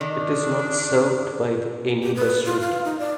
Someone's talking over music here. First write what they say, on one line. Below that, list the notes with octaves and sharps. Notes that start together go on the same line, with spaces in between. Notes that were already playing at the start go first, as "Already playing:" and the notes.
It is not served by any bus route.
D#3 D4
G4
B4
F4
F5
D#4
D5